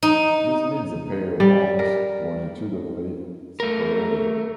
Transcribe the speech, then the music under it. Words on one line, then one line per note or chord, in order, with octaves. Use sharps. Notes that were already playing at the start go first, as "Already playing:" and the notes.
This needs a pair of arms longitudinally separated.
D#4
G3
A#4
A3 A#4